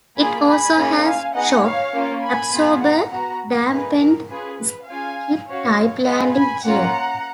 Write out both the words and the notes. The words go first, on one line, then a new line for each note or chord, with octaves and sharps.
It also has shock absorber-dampened, skid-type landing gear.
A#3 F4 G#4 G#5 B5
G#5 B5
A#3 C#4 F4 G#4
F5 G#5
B3 D#4 G#4 D#5 F#5
C#5 F5
A#3 C#4 F4
G#5 B5
B3 F4 G#4
F#5 A#5
B3 F#4 F#5 A#5
A#3 D#4 G#4 B4
A#4
C#4 F4 G#4 B4
B4
C#4 F4 G#4 F5 G#5
C#4 F#4 C#5 F5
B3 F4 G#4 B4 D#5
G#5 B5
A#3 C#4 F4 F#5 A#5